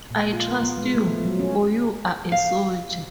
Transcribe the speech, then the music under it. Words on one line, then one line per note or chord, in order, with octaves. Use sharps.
I trust you, for you are a soldier.
A#2
F4
A#4
B3
G#3
A3
F3
F#3
C#4
F5